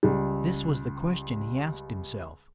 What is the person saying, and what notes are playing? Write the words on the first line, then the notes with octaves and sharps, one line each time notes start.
This was the question he asked himself.
C#2 G3